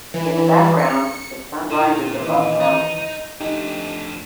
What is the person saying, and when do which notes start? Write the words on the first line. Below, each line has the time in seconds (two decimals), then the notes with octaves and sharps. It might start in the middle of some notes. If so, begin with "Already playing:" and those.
In the background, the sun rises above mountains.
0.14 E3
0.79 C#7
1.71 A#2 D3 E4
2.20 D#3 E3 D#5
2.60 D#4
3.40 F2 A3 D4 D#4 G4